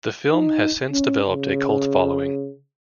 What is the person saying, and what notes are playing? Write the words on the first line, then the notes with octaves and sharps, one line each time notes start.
The film has since developed a cult following.
D#4
C#4
C#3